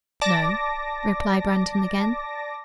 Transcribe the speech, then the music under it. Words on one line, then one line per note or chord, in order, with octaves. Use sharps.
"No," replied Brandon again.
D5 A5 D6 A#6